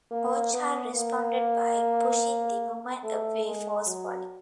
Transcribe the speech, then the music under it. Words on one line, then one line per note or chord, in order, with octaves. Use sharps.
Bouchard responded by pushing the woman away forcefully.
A#3
B3
A#3
A3
G#3
F#3